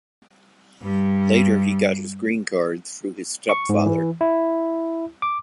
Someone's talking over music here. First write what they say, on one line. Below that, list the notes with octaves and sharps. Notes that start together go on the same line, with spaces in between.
Later he got his green card through his stepfather.
G2 G3
C#6
G#2
E3
E4
D6